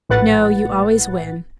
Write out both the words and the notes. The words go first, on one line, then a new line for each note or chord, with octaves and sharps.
"No; you always win."
A#1 A2 B4 F#5 A6